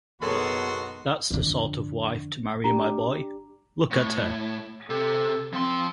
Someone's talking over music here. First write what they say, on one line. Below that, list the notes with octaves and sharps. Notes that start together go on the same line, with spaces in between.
That's the sort of wife to marry, my boy. Look at her.
F#1 B2 B3 D#4 F#4 A4 C#5 C6
F2 D3
D4 G4 A#5
A2
C3 A4
F3 C4 C6